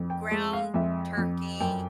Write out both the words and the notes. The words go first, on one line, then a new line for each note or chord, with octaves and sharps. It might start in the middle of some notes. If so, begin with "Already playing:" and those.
m ground turkey,
Already playing: F2
G5
G#3
F5
F2 E5
F2
F#2 G5